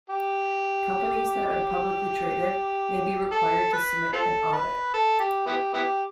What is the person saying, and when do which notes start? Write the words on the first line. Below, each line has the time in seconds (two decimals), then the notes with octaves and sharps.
Companies that are publicly traded may be required to submit an audit.
0.10 G4
3.32 A4
3.73 B4
4.13 C4 F4 A4
4.53 B4
4.94 A4
5.20 G4
5.46 B3 E4 G4
5.74 B3 E4 G4